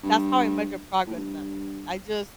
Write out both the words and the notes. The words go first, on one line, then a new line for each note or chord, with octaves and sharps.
that's how I measure progress now. I just
G2
A2
G2